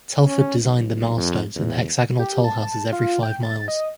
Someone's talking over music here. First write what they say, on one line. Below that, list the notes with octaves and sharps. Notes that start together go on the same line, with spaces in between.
Telford designed the milestones and the hexagonal toll houses every five miles.
C#4
B1
F2
E2
G4
A5
F4
G5
A6
D#5